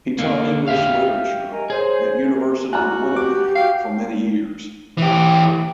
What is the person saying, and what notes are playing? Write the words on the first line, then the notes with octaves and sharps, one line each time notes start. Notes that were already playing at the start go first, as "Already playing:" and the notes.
He taught English literature at University of Winnipeg for many years.
D3 A#3
G4 E5 F5
A#4 D#5 G#5
G#4 C5 C#5
A#4
F#4 D5 G#5 A#5 F6 F#6
G4 D6 F#6
F#4 F5 G5
E3 G4